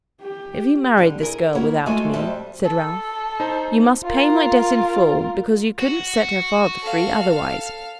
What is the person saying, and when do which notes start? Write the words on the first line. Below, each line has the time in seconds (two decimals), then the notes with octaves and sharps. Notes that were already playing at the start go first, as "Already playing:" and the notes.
'If you married this girl without me,' said Ralph, 'you must pay my debt in full, because you couldn't set her father free otherwise.
0.21 G4
0.97 D3 G3
1.20 E4 G#4 A#4
1.55 A#3 E4 C#5 F#5
1.86 G#3 A3 F4 F#4 A4 G#5
2.13 F2 G3 D#5 E5 A5
2.64 A4
3.40 D#4 C5
4.04 F4 A#4
5.79 F#4
6.81 A4 F5